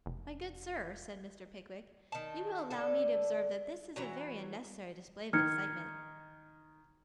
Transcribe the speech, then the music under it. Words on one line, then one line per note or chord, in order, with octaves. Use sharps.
'My good sir,' said Mr. Pickwick, 'you will allow me to observe that this is a very unnecessary display of excitement.
F1
D#3 A5
D3 A4
E3 F#3 A#5
D#3 F6 G#6 C#7